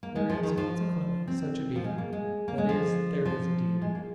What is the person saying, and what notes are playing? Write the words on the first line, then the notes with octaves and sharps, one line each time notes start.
There is, consequently, such a Being; that is, there is a Deity.
A#3
G#3
F3
D#3
F3
C4
F3
G#3
A#3
G#3
A#3
G#3
F3
F3
G#3
A#3